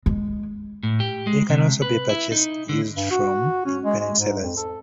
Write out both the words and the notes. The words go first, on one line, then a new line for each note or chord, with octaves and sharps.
It can also be purchased used from independent sellers.
G#3
A2
G4
G#3
C3
B4
E4
D#4
D3
G2
F#4
C#4
G#3
G#3
G#2
F2
A4